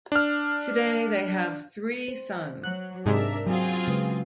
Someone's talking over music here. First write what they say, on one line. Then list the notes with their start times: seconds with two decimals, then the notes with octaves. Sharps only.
Today they have three sons.
0.12 D4 F6
2.08 C5
2.64 F#3 F#6
3.06 G#2 C3 G#3 D4 A#4 E5
3.47 F#3 C4 F4 F#4 G#4
3.87 C#3 G#3 B4